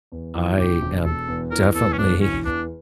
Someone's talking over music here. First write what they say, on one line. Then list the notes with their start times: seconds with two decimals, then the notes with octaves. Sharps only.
I am definitely
0.12 E2
0.35 E3
0.58 E1 G4
0.82 E1
1.05 E1 A4
1.28 E2
1.51 E3 A#4
1.75 E2 A4
1.93 C#4
1.98 E1 D4
2.21 E3 C#4
2.45 E2 D4